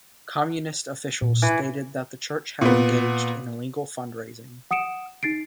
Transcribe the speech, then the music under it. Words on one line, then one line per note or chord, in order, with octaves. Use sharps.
Communist officials stated that the church had engaged in illegal fundraising.
A#2
E3
A#2 B3
F#5 D#6 C#7 D7 E7
D#4 A6 C7 D7